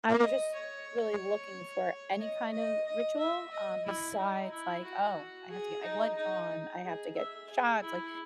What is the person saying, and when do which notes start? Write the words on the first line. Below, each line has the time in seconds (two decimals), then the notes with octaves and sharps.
I was just really looking for any kind of ritual, um, besides like, "Oh, I have to get my blood drawn, I have to get shots," like
0.21 D#5
0.54 C#5
2.19 D#5
2.53 D#5
2.86 D#5
3.19 E5
3.52 D#5
3.85 E4
4.18 D#4
4.51 E4
4.84 F#4
5.50 G#4
5.83 D#4
6.17 D#4
6.84 G#4
7.16 E5
7.49 G#4
7.82 E4